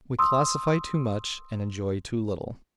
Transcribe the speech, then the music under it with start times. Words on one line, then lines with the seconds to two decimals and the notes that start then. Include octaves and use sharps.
We classify too much and enjoy too little.
0.19 C6 D#6 E6